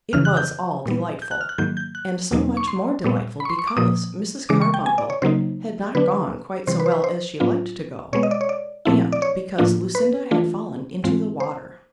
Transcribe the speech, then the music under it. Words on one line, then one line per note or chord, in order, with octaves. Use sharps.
It was all delightful;--and so much more delightful because Mrs. Carbuncle had not gone quite so well as she liked to go, and because Lucinda had fallen into the water.
F2 C#3 E3 F6
F#6
G6
A#2 G3 B3
G6
F#6
F6
F#6
G#2 D#3 F#3 A#3 G6
G6
F#6
E2 B2 F#3 A#3 D#4
C#6
C6
A#2 G3 B3
B5
C#6
C6
C#6
D6
A#2 F3 A#3 D#6
C#3 E3 G#3 D6
C#6
G5
G#5
D5
C#5
C#3 F#3 A#3 D#4 C5
D3 F#3 B3 D4 B4
C3 E3 G3 C5
B4
C5
B4
C5
A2 F#3 B3 D4 F4
B2 G#3 B3 C#5
D#5
D5
C#5
D5
A#2 F3 A3 C4 E4
D5
C#5
A2 F3 A#3 D4 F4
B4
E3 A3 D4 F4
G#2 E3 G#3 C4 F4
C5